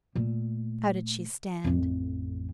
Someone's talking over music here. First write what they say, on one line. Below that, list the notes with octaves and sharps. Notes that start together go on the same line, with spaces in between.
How did she stand?
A#2 A3
A1 F2